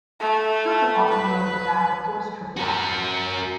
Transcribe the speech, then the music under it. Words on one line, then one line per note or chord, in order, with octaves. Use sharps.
Children often rode in the back of horse travois.
A3
B4
F#4 A#4